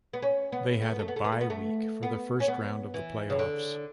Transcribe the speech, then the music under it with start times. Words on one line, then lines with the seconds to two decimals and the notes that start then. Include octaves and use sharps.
They had a bye week for the first round of the playoffs.
0.13 B3
0.22 C#4
0.52 B3
0.82 A3
0.90 B3
0.99 A3
1.08 B3
1.16 A3
1.24 B3
1.32 A3
1.41 B3
1.50 A3
2.03 B3
2.40 C#4
2.48 B3
2.94 E3
3.30 C#3
3.39 D3